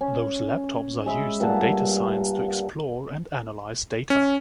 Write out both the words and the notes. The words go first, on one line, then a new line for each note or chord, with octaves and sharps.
Those laptops are used in data science to explore and analyze data.
C#4
G#3 E5 B5
G2 A#2 F#5 A5
C#4